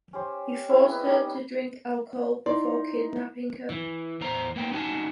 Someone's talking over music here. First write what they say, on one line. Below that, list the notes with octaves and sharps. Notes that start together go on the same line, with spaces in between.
He forced her to drink alcohol before kidnapping her.
C#4 G4 C5
C4 C#4 E4 G#4
B3 B4 D#5
G3 C#4 D#4 G4
D#4 E4 D5 C6
E3
E2 C5 A#5
A#3 B3 G5
C#4 D#4 F#4 G#5 A5